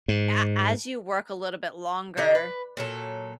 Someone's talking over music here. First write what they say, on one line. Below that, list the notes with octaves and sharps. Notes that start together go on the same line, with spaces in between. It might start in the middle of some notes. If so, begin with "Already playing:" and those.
a as you work a little bit longer,
G#2
D3 D#4 G4 D#5
B4
A#2 F#3 A4